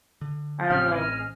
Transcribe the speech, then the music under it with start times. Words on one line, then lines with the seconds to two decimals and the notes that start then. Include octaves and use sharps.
I don't know
0.21 D3
0.70 A1 C#3 C4 C#4 G4 F6
0.92 G#4 D5 D#5